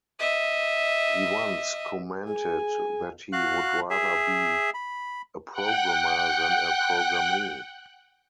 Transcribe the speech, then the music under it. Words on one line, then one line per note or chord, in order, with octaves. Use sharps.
He once commented that he would rather be "a programmer than a programmee".
D#5 E5
G#4 G#5
F#4 F5 F#6
G#4 E5
B5
F#5 G5 F#6